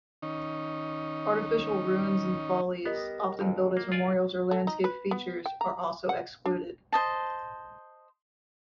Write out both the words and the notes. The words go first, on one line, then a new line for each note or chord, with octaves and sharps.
Artificial ruins and follies, often built as memorials or landscape features, are also excluded.
D#3 C#4 D#4
B3 G4 A#4 D#5
G1 F2
A#3
F4 D5 G#5
A3
D#4
B4
B3
G5
A#5
F#5
D4
C5 D#5 A5